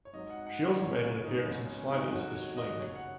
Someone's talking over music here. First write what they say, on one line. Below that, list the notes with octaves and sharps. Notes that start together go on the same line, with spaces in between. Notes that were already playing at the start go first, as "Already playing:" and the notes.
She also made an appearance on "Sliders" as Fling.
C#5
G#2 F#3 D#5
F#5
F#5
C#5
C#2 C#3 F#3 C#5
C#4
D#4
C#2 B2 F#3 C#4
C#4
D#4
D#2 D#3 F#3 F#4
C#5
D#5
F#2 C#3 F#3 C#5
F#5